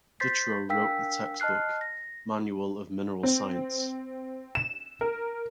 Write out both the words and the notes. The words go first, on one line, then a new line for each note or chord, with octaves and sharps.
Dutrow wrote the textbook "Manual of Mineral Science".
C5 C6 G6 A6 B6 C7
D4 A#4 F5 G5 E6 B6
D#5 A5 F6 F#6 C7
A#6
C4
E7
A#4